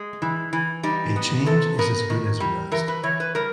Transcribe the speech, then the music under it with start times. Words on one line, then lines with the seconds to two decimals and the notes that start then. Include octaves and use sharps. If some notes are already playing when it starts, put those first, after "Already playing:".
A change is as good as a rest.
Already playing: G#3
0.22 E3
0.53 E3
0.83 G3 D#4
1.16 B3
1.46 C3 A4
1.79 B3 A#4
2.10 D#3
2.40 G3
2.72 E3 A#4
2.88 B4
3.03 E3 C#5
3.20 B4
3.35 G3 A#4